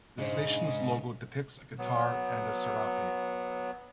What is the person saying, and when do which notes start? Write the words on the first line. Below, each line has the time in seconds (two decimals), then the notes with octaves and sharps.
The station's logo depicts a guitar and a "sarape".
0.19 G#2 C#3 D4 C5 D#5
1.78 F#3 B3